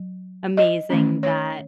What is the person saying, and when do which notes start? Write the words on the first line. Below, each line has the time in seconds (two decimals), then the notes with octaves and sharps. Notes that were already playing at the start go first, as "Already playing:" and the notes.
amazing that
Already playing: F#3
0.57 D#5
0.90 D#3 A3 C#4
1.23 C#5